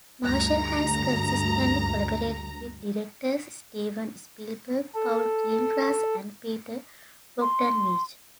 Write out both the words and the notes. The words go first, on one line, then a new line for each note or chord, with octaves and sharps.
Marshall has consistently collaborated with directors Steven Spielberg, Paul Greengrass and Peter Bogdanovich.
D2 G2 A#5
A4
C6